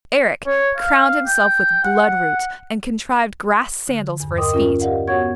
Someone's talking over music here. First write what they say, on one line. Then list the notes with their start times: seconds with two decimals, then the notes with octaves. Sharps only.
Eric crowned himself with bloodroot and contrived grass sandals for his feet.
0.46 C#5
0.77 F5
1.24 G5
1.84 F#5
3.88 D3
4.20 E2 G2
4.37 A#4 D#5 G5 C6 D6 D#6
4.53 C#4 F4 A#4
4.81 G4 A#4 D5 D#5 F5 F#5
5.08 B3 F#4 C#5 F#5 C#6 G#6